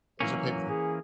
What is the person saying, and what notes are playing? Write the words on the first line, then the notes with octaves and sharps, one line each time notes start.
Or is it pay-per-view?
E3 F#3 A#3 C#4
G#4